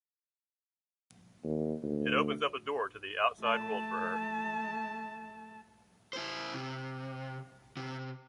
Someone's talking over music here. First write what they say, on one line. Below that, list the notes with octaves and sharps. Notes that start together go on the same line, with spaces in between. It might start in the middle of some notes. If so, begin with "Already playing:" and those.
It opens up a door to the outside world for her.
D#2
D2
A3 A5
E4 C5
C3
C3